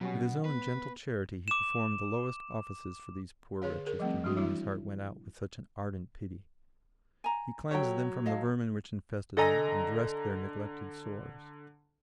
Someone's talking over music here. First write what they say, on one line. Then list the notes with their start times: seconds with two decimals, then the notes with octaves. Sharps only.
With his own gentle charity he performed the lowest offices for these poor wretches to whom his heart went out with such an ardent pity; he cleansed them from the vermin which infested them and dressed their neglected sores.
0.01 B2 F#3 G3 C#4 F#5
0.45 B3 B4
1.48 D6 E7
3.62 D3 G#4 C#5 F5
3.87 G#4 A#4
4.00 F3 G3 A3 C4
4.24 F#3 D4 F#4
4.37 E3 G3 C#4 D4 E4
7.24 G#5 A#5
7.71 F#3 G4 A4 C#5 G5
8.26 D#5 F5 A5
9.37 D3 A4 D#5 G#5 A#5 A#6